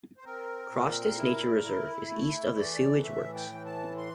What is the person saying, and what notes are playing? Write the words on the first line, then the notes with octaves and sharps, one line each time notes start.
Crossness Nature Reserve is east of the sewage works.
C5
C4 A#4
A#2
E4
E4
A3
E3 D5
A2 E5
G5
E3
A5
C6